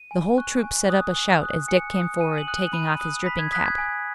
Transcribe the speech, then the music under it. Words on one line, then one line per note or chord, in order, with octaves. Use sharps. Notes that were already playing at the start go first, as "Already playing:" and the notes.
The whole troop set up a shout as Dick came forward, taking off his dripping cap.
Already playing: D#7
G#5
C#6 F#6
G#5
D#6 F#6
G#5
D#6 F#6
G#5 C#7
D#6 F#6
G#5 D#7
F#7
D#6 F#6
F#7
B5 D#7
D#6 F#6
B5 B6
G#6
D#6 F#6 B6
G#6
G#5